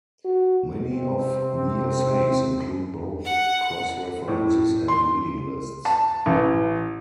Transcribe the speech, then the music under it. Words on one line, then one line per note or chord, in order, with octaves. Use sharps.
Many of the essays include both cross-references and reading lists.
F#4
C3 C4
F#5
A2
C6
A5
A1